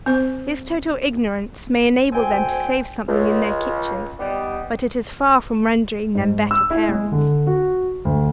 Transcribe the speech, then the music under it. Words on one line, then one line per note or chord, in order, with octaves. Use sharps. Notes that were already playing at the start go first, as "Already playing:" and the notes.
This total ignorance may enable them to save something in their kitchens, but it is far from rendering them better parents.
C4 C5
D2 C4 G5 G#5
C#2
D#3 G3 B3
G#2
E6
E4
G#3
D3
F#4
D2